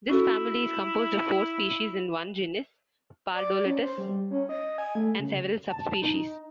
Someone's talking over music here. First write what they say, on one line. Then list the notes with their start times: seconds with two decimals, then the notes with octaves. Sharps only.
This family is composed of four species in one genus, "Pardalotus", and several subspecies.
0.10 C#4 E4 F#4 A4
3.34 D5
3.66 C#4
3.83 C5
3.98 G3
4.31 C#4
4.49 D#5
4.78 G#5
4.95 A3
5.19 C#3
5.70 A5
6.02 D#4